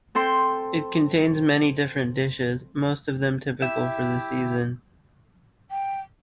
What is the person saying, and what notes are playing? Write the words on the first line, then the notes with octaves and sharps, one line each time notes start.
It contains many different dishes, most of them typical for the season.
C4 A4 G5 C6
E4 G4 E5
G5